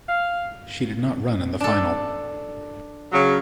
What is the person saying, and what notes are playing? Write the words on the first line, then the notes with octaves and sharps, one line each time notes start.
She did not run in the final.
F5
D4 A4
C#3 F#3